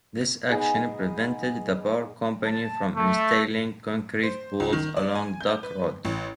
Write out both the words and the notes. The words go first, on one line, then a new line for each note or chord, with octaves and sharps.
This action prevented the power company from installing concrete poles along Duck Road.
B3 D#4 G#4
A5
A3
C5
C#2
D#3
D5
G#5
G6
B4
A1